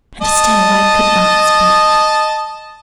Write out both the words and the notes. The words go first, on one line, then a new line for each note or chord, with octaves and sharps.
And still I could not speak.
D#5 A5